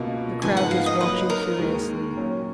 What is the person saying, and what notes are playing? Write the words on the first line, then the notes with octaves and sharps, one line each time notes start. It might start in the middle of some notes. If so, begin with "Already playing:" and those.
The crowd was watching curiously.
Already playing: C#2 B2 A#3 F4
G#2 F3 B3 G#5
F#5
F5
D#5
F#3 A#3 D#4 B4
A#4
D#2 D#3 G#3
A#2 F#3 C#4